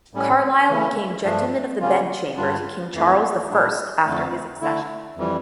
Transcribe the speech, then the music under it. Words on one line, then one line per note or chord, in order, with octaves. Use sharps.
Carlisle became gentleman of the bedchamber to King Charles the First after his accession.
A2 G3 C#4
C#3 E3 A3 C#4 E4
G2 F3 A3 D4
C#3 G3 A#3 C#4 F4
G2 D3 G3 D4 F4
F2 E3 A3
A#2 G3 D4
F2 D3 A3
D3 A3 E4
F2 E3 G3